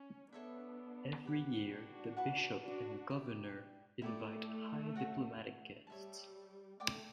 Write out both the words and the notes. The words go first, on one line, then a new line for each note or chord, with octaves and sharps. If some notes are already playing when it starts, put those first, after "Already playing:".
Every year the bishop and gouverneur invite high diplomatic guests.
Already playing: C#4
B3 D4 A4 C#5 E5
G4 B4 F#5
D4 F#4
B4 F#5 A5 C#6
D4 F#4
E4 G4 D5
A3 E4 G4 D5
F#4 C#5 F#5
G3 C#5 E5 A5
A3 D5 G5 D6